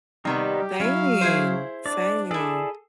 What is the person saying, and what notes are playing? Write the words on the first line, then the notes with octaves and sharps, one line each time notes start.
Same, same.
C3 D#3 G3 B3 D#4 G4
F#3 C#4 E4 F5
E4 G#4 C5
D4 D5
E4 G#4 A4 D5